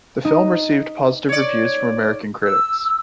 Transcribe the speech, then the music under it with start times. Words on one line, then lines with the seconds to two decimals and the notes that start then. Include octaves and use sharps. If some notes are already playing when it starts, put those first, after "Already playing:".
The film received positive reviews from American critics.
0.25 D#4
1.29 C#5 D5
2.42 E6